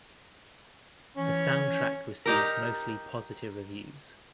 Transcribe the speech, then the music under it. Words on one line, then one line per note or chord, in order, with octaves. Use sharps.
The soundtrack received mostly positive reviews.
E3 C#4
D#4 G4 A#4